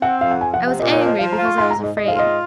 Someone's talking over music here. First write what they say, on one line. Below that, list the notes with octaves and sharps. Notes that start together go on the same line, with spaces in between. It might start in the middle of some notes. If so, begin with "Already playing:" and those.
I was angry because I was afraid.
C4 F#5
F2 F5
F#5
F3 G#5
F#5
C3
F#5
A#2 D#5
C#5
F3
D#5
F3 F5
A#5
F4
C#6
G#2 C6
A#5
G#2
D#5
G#2 D#5
F5
F4 D#5